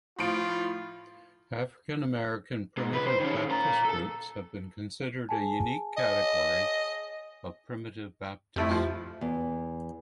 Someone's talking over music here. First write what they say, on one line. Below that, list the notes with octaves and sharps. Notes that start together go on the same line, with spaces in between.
African-American Primitive Baptist groups have been considered a unique category of Primitive Baptist.
A2 F3 F4 D7
G#2
C#2 B4
C5
D#3 C#4
A#2 A#5
A4 A5
G#4 G#5 A5
D#5
F2 G3 A3 E4
F3
E2